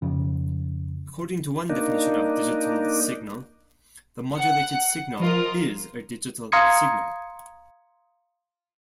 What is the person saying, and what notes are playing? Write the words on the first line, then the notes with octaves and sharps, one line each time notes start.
According to one definition of digital signal, the modulated signal is a digital signal.
F2 C#3
A#3 D4 D#4
F#5
F3 F4 A#4 D#5
F5 A#5 C6 D#6 G#6 C#7